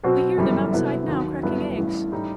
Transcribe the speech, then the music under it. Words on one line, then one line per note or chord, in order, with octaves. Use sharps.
We hear them outside now cracking eggs.
B2 F#3 C4 F#4 C5
G1 F#2 E3 G3
C3 F#3 B3 E4 A4
D#2 D#3 F#3
G1 G2 F#3 B3 E4
A1 G2 E3
A2 G3 D#4 G4